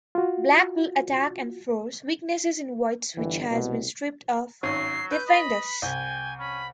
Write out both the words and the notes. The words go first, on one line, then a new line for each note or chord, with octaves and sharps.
Black will attack and force weaknesses in White's which has been stripped of defenders.
F4 F#4
G1 E3
C2 B2
G#1 F#3 C#4 C7
B4 G6
D#5 B5
C2 G5 G#5
C#4 B5